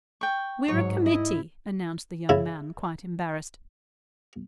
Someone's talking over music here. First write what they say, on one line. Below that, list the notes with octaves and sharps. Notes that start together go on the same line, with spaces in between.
"We're a committee," announced the young man, quite embarrassed.
G5 C#6
G#2 F#3 C#5
E4 D#5
C#3 E4